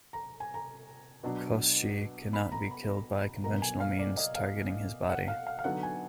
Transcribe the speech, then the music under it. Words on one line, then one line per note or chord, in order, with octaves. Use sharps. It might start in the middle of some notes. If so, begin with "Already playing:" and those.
Koschei cannot be killed by conventional means targeting his body.
A#5
G#5
A#5
B2 F#3 D4
B5
A#5
B5
B2 F#3 A#3 A#5
G#5
F5
D5
D#5
F5
F#5
F5
F5
F5
D3 F#3 B3 D#4 F#5
G#5